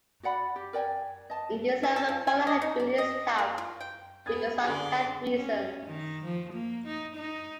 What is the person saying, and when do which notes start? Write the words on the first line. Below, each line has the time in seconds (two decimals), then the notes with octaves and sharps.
In December Korihait release Taft, because of health reasons.
0.23 F#4 D5 F#5 B5
0.56 G4
0.73 A#4 D5 G5 G#5
1.30 D#5 A5
1.83 A4
1.96 A4
2.09 F3
2.27 G#5
2.47 D#5
2.62 D#4
2.80 D5
2.98 D#5
3.38 A#3
3.58 F4
3.81 G5
4.26 B3 G#4 D#6 G#6 A6
4.64 D3 G#4 D5 C6
5.37 C#4
5.86 D#3
6.25 F3
6.53 A#3
6.87 D#4
7.16 D#4